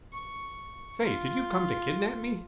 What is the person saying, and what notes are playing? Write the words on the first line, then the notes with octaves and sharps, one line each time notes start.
"Say, did you come to kidnap me?"
C#6
F4